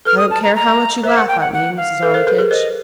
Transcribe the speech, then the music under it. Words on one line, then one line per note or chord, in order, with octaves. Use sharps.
"I don't care how much you laugh at me, Mrs. Armitage."
A4 B4 F6
D#6
A5
A#5
A#5
A#4 C5 E5
F#5
G5
F#5
F#5
F5
A4 B4
A#4 C5
A4 B4
G#4 A#4
A#4 C5 D#5